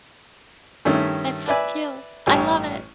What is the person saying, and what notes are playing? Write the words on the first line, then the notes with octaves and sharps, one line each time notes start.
that's so cute. I love it.
G2 D#3 A3 C#4 E5
B4 D5 E5 G#5
A1 G2 G4 C#5 G#5